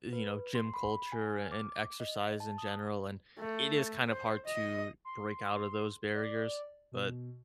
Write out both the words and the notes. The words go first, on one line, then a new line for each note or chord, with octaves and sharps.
e you know, gym culture and exercise in general, and it is kind of hard to, break out of those barriers. But,
B4
C6
B5
G#5
F6
D6
D#5
A5
D#6
A3
C5
D#5
C6
D5
B2